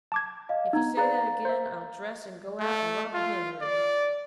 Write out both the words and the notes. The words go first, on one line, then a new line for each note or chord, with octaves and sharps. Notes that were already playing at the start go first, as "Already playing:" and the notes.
"If you say that again I'll dress and go out and rob a hen roost!"
A5 D6 G#6
D#5 F5
B3 D#4 A#5 G#6
G#4 B4 D5 F5 A#5 A6
C5 E5
A3
F4
D5